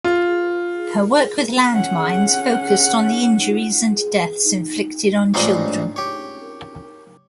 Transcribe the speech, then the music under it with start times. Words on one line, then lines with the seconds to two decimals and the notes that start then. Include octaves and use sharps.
Her work with landmines focused on the injuries and deaths inflicted on children.
0.04 F4
1.72 C#4 F#5
5.34 A1 G#2 G3 D#4 F4 C#5
5.96 G4 C#5